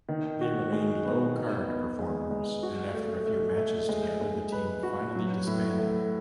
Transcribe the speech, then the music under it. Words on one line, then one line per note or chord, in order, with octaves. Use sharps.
They remained low-card performers, and after a few matches together, the team finally disbanded.
D#3
F#4
G#3
B3
D#4
B3
G#3
G#3
F#4
A3
A3
A3
G#3
G#3
B4
F#4
F#3
A2
A3